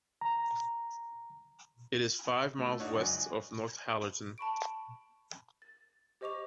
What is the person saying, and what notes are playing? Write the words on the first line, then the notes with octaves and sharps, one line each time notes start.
It is five miles west of Northallerton.
A#5
A3
D4 D#4 F#4 C#5
C#2 F#2
A5 B5 C#6 D7
A6
G4 C5 D#5 C#6 D6 F7